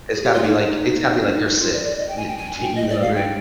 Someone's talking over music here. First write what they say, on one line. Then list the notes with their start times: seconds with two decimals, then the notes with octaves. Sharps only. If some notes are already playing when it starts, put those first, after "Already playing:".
It's gotta be, like it's gotta be, like, you're sick, you you know what I mean.
0.14 G#4
0.23 G4
0.33 F4
0.43 D#4
1.21 D4
1.33 D#4
1.47 D#4
1.59 F4
1.73 D5
1.85 D5
1.98 D#5
2.08 G5
2.17 G#5
2.27 G5
2.37 G#5
2.63 G5
2.75 D#5
2.89 D5
3.01 F5
3.15 G5